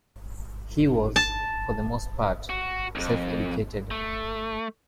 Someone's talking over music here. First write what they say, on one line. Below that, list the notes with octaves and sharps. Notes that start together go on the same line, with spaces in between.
He was, for the most part, self-educated.
A5
F#4
B1 F2
A3